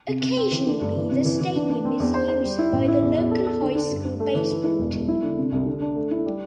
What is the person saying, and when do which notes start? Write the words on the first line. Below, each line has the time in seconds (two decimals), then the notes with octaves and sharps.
Occasionally, the stadium is used by the local high school baseball team.
0.08 C3
0.22 C3
0.37 C4
0.52 E3
0.66 D3
0.81 G2
0.96 E3
1.11 C3
1.25 E3
1.40 E3
1.55 D4
1.70 D4
1.85 C4
2.00 E2
2.14 C5
2.28 C5
2.43 G3
2.58 E4
2.73 A1
2.88 E4
3.02 E2
3.17 E2
3.31 A4
3.46 A4
3.61 D3
3.76 D3
3.91 G2
4.05 G2
4.20 A3
4.35 E3
4.49 E4
4.64 E4
4.79 E1
4.93 E1
5.08 E4
5.22 D3
5.38 C3
5.52 C2
5.66 D3
5.81 D4
5.96 A3
6.11 E4
6.26 G3